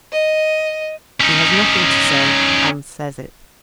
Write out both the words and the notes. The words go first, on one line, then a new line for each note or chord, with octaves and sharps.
He has nothing to say and says it.
D#5
C#4 D#4